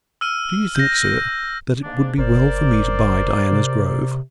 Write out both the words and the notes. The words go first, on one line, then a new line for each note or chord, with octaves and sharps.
"Do you think, sir, that it would be well for me to buy Diana's Grove?"
E6 F6 D#7
G6 A#6
G#2 A#3 D4
F#1 A#4 C5 D5
C3